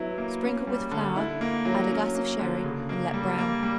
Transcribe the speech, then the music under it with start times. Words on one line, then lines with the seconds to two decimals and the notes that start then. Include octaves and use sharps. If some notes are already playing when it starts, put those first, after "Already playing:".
Sprinkle with flour; add a glass of sherry and let brown.
Already playing: F#3 B3 E4
0.18 A#3
0.42 C#4
0.67 G3
0.91 D3
1.16 E4
1.41 A#3
1.65 F#3
1.90 C#4
2.15 A#3
2.39 D3
2.64 C#3
2.89 A#3
3.14 G3
3.39 A#3
3.63 G3